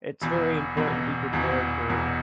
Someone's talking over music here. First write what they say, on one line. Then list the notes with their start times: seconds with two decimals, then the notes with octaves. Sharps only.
it's very important to be prepared for,
0.22 E1 E2 B2
0.77 E1 E2 B2
1.33 E1 E2 B2
1.89 E1 E2 B2